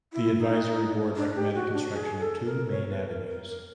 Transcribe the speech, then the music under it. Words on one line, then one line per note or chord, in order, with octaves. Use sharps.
The Advisory Board recommended construction of two "Main Avenues".
E4
D#4
D4
G4
F#4
D4
G#4
A4
A#4
C#5
B4
A#4
A#4
A#4